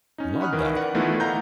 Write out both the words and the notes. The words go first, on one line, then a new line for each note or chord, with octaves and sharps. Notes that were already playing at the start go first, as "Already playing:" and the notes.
Love that.
C#4 D#4
F#5 B5 C#6 D#6 F6 F#6
D#3 E3 A#4
A#4 B4 D5 F#5
D#3 E3 A3 B3 E4 F4
D#5 F5 F#5 A#5 G6